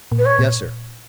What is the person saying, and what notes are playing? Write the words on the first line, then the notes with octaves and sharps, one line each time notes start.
"Yes, sir."
A#2
B4
C#5
A#2